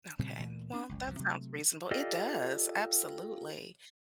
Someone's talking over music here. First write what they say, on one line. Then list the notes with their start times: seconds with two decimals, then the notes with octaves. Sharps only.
Okay. Well, that sounds reasonable. It does, absolutely
0.19 A#2 C#3 G3 C4
0.39 D2 A#2 E3 A3
0.73 C4 D4
0.89 F#1 C#2
1.07 C2 F#2 C3 F3
1.19 C3 F#3 G3 A3
1.91 F4 G4 A4 D5 D#5 F5